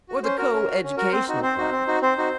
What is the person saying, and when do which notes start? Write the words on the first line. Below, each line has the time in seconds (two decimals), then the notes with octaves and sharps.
Or the Co-educational Club?
0.09 F#4
0.23 C#4 C5
0.38 F#4 A#4
0.53 C#4
0.67 F#4
0.83 C#4
0.97 F#4 A#4
1.12 C4 C5
1.28 D#4 F#4
1.42 C4 C5
1.58 D#4 F#4
1.72 C4
1.87 D#4 F#4
2.02 C4 C5
2.18 D#4 F#4